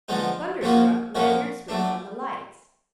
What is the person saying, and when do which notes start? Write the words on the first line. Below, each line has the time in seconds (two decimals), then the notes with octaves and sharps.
Thunderstruck, Lanyard switched on the lights.
0.08 D3 F3 G#3 B3 D#4
0.61 A#2 F3 A#3 C#4 F#4
1.15 A#2 F3 A#3 C#4 F#4
1.68 F#3 A3 D4